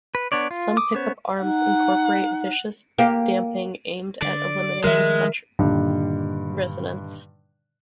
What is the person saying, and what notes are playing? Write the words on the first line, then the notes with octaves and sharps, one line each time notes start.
Some pickup arms incorporate viscous damping aimed at eliminating such resonance.
B4
B3 D4 C#5 D5
F4
D6 D#6
B3 C#4 C5 C#5
D#4 F#5
A#3 G4
D3 D5
D#3 F3 G3 G#3 A#4 E5
G2 A#2 D3 D#3